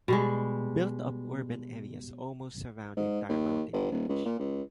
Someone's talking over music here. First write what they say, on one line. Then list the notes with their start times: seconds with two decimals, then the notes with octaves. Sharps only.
Built up urban areas almost surround the entire mountain range.
0.08 B2 G3 G#3
2.96 G#2
3.29 D#2
3.73 G1
3.91 D#1
4.09 C#2
4.25 A#2
4.39 C#2